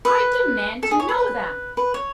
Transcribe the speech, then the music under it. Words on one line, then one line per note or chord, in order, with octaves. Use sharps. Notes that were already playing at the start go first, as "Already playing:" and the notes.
"I demand to know them!"
B4
A4
G#4
C#5
B4
B4
C#5